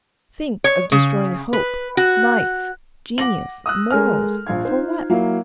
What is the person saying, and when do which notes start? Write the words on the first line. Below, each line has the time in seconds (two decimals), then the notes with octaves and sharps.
Think of destroying hope, life, genius, morals--for what?
0.64 C#5
0.92 C#3
1.53 B4
1.97 F#4
3.18 F#5 D6 A#6 F#7
3.66 D#6 E6 F#6
3.91 G#3 A4 A#4 G#5 F6
4.47 A#1 F4 F5 G#6
4.65 D#4 F4 C5
5.10 F#3 A#3 E4 F5